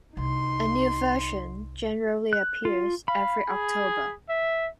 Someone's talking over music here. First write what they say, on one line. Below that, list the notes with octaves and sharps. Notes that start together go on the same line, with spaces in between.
A new version generally appears every October.
C2 D#4 C6
F#6
F4
F5 B5
G#4
E5